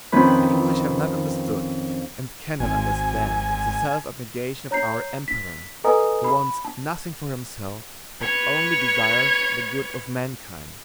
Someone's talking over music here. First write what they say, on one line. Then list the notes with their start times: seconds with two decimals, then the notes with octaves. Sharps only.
The English have not understood and cannot understand the self-abnegation of our Emperor who wants nothing for himself, but only desires the good of mankind.
0.12 F2 D#3 C4 C#4 B4 B5
2.60 G#1 G#5
4.71 C#5 A#5 G6 C7
5.28 B6
5.84 A4 B4 D#5 G#5 A#5 D#6
6.24 B5
6.65 A5
8.21 B4 C#5